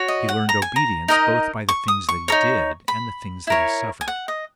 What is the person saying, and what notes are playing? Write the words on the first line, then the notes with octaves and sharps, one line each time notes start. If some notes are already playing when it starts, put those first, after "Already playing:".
He learned obedience both by the things that He did, and the things that He suffered.
Already playing: F#4 C#5
D#5
F#5
A#5
G#5
A#5
D#4 A#4 D#5
C#6
D#6
C#6
D#4 A#4 C#5
B5
E4 A#4 C#5
G#5
F#5
D#5